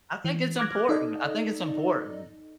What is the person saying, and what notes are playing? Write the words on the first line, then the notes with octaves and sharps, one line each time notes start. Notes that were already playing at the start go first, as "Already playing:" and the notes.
I think it's important, I think it's important.
E3
D6 F6 F#6 G#6 A#6
D#4 A4 D5 D#5